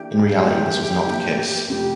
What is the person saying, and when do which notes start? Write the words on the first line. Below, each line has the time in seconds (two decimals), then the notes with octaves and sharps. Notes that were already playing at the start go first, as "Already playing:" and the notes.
In reality, this was not the case.
Already playing: E3 A#3 D4 G4 A4 E5
0.42 E3 A#3 D4 G4 A4 E5
1.06 E3 A#3 D4 A4 E5
1.68 F1 F2 C3 G3 G4